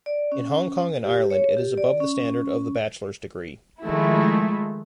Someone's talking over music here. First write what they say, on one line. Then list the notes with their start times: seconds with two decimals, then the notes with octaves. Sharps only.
In Hong Kong and Ireland it is above the standard of the bachelor's degree.
0.06 D5
0.32 C#4
1.04 G4
1.30 C#5
1.57 G4
1.77 D5
2.01 C#4
3.82 D#3 F3 G#3 A3 E4